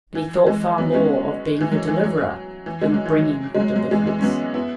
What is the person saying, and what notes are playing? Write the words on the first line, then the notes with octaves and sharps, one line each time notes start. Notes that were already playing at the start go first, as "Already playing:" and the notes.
But he thought far more of being her deliverer than of bringing her deliverance.
E3
E3 G#3
F#3 B3
G#3 C#4
E3
F#3
E3
F#3
E3
G#3
F#3
E3
F#3
G#3
F#3
F#3
E3 G#3
E3 G#3
C#4
F#3 B3
B3 E4